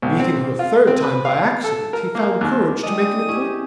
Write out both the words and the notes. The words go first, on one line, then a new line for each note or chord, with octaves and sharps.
Meeting her a third time by accident he found courage to make an appointment.
B1
C4
F4
C4
B4
F5
A4
A#4
A#3
D#2
G#3 D4 E4 G4 D#5 G#5 D#6
E4 G4 G#4 C#6